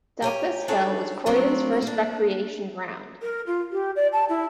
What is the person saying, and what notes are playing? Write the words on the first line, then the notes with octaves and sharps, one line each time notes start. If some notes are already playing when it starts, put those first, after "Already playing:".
Duppas Hill was Croydon's first recreation ground.
G4 C#5 G#5
D4 D#4 F#4 G#4 A4 C#5
F3 F#3 A3 B3 C4 D4
A#3 D4
A#4
F4
G4
D5
A5
E4